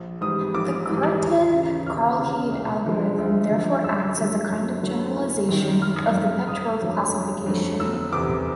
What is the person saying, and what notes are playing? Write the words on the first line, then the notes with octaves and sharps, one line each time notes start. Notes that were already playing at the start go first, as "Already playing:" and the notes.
The Cartan-Karlhede algorithm therefore acts as a kind of generalization of the Petrov classification.
Already playing: A#1
G#2 E3 G3 D#6
A#1 D6
G#2 E3 G3
D#2
C#3 E3
D#2 F6
C#3 E3
D2
D3 F3 G#3
D2
D3 F3 G#3
F#2 E6
D3 F#3 A3
F#2
D3 F#3 A3
F#1
F#2 D#3
F#1 F6
F#2 D#3
G1 D#6
F2 D3 F#3 A3
G1
F2 D3 F#3 A3
F1 E6
E2 C3 E3 D6